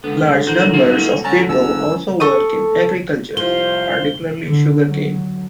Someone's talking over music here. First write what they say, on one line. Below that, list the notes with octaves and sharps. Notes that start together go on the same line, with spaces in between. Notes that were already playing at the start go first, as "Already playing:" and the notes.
Large numbers of people also work in agriculture, particularly sugarcane.
C#2 D3 B3
F#4 A#4 C5
F#3 A#3 F4 F#4 A4
D3 C#4 A5 A#5
F#1 C#4 A5 A#5 E6
A4 C#6 D#6
C2 F3 C5 F5 G7
D3
F#3